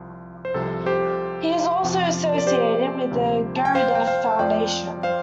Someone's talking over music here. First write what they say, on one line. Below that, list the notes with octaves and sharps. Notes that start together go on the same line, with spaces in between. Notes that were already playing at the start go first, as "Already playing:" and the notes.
He is also associated with the Gurdjieff Foundation.
Already playing: C2 F3
C5
C2 C3 F3 A4
G4 C5
F2 C3 F3
D5
G4 C5
D2 C3 F3
A5
G5
C5 F5
G5
C5 F5
F2 F3 D5 G5
C5 F5